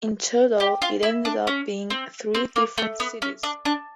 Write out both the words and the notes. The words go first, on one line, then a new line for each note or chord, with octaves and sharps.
In total, it ended up being three different cities.
G4
F4
E4
D4
C#4
C4
C4
A#3
A3
B3
C#4
D4
D4